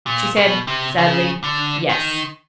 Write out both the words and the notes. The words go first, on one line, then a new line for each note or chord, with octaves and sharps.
She said, sadly, 'Yes!
A#2
B2
C3
C#3
D3
D#3